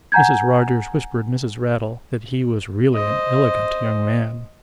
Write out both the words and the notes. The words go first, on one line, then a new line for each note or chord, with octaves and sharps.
Mrs. Rogers whispered Mrs. Raddle that he was really an elegant young man.
F#5 G#5 A#5 G6 G#6
C5 D#5